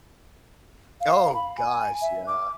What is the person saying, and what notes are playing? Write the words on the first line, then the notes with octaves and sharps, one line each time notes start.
Oh, gosh, yeah.
F5
B5
G#5
E5
D6